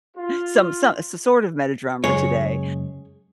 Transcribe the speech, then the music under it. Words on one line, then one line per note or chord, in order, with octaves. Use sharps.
Some so s sort of met a drummer today,
F4
F#2 C#3 G#3 G#4 C#5